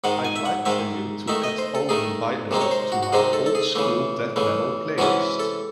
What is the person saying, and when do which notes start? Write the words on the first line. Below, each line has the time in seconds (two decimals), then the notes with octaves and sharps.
I'd like for you to add Owen Biddle to my Old School Death Metal playlist.
0.04 G#2 D#3 G#3 F#5
0.25 G#5
0.36 E5
0.45 F#5
0.65 G#2 D#3 G#3 E5
1.28 D#3 A3 D#4 E5
1.44 D#5
1.58 C5
1.75 A4
1.89 D#3 A3 D#4 G#4
2.51 C3 D#3 G#3 C4 D#4
2.61 C#5
2.71 C5
2.92 F#4
3.03 F#4
3.12 C3 D#3 G#3 C4 D#4 G#4
3.33 A4
3.46 A4
3.55 G#4
3.75 C#3 E3 A3
4.36 C#3 E3 A3
4.98 C3 E3 G#3 C#4 E4 F#4
5.39 A4